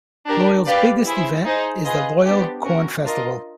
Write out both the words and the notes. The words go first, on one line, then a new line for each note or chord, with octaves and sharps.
Loyal's biggest event is the Loyal Corn Festival.
D4 G4 A#4
G4 B4 D5 F5
E4 G#4 C5 E5
D#4 G#4 C5
F4 G#4 B4 D#5
B3 D4 G4 C5
C#4 F#4 A#4
D4 F4 A#4 D#5